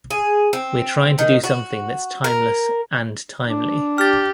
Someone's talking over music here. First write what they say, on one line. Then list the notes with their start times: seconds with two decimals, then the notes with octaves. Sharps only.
We're trying to do something that's timeless and timely.
0.10 G#4
0.53 C4
1.19 D#3
1.44 F#4
2.24 A#4
3.49 D4
3.98 G4 F6 A6